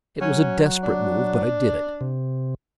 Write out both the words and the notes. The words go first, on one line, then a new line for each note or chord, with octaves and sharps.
It was a desperate move, but I did it.
F#3 C#4
D4
C3